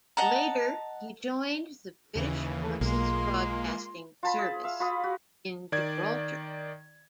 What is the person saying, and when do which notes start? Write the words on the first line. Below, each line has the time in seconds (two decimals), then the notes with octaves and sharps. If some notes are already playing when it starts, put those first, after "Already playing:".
Later he joined the British Forces Broadcasting Service in Gibraltar.
0.17 D#5 F#5 A5 A#5
2.15 D#2 C#3 E3
2.81 B1 G#3 A#3 F4 C6
4.23 F4 A5 B5
4.38 G#4
4.64 E5 F5
4.80 F4 B5 D#6
5.04 F#4
5.72 D#3 D5 G#6